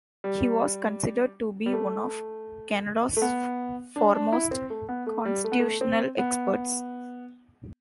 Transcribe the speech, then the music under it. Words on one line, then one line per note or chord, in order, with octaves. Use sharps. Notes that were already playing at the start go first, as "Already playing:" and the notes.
He was considered to be one of Canada's foremost constitutional experts.
G3
G3
A3
A3
B3
D4
D4
E4
C4
A3
B3
A3
G3
A3
B3
A3
C4
B3